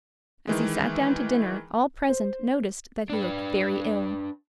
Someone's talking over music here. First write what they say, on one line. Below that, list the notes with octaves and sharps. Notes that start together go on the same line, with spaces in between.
As he sat down to dinner all present noticed that he looked very ill.
D#3 E3 G#3
C5
D4 B4